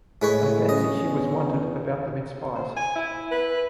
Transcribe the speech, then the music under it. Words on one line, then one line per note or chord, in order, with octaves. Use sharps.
I fancy she was wanted about the mince pies.
A2 G#3 B4 C#5
C#4 D#5
E2
C5
G#5
E4
B4